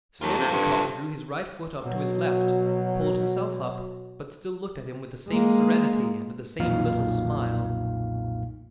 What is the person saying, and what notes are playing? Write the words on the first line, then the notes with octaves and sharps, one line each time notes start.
Smerdyakov drew his right foot up to his left, pulled himself up, but still looked at him with the same serenity and the same little smile.
D#2 F4 A4
C3
G2
B2 F#3
G#3 A#3
B1 F2 A#2 D#4 F5